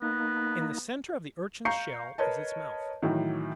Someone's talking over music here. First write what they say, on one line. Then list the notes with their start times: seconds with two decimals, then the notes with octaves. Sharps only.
In the centre of the Urchin's shell is its mouth.
0.02 A#3 B3 D#4
1.65 F5 A#5 C#6 G6 C7 C#7
2.18 A#4 B4 C#5 D#5 A5
3.02 A2 D#3 E3 F#3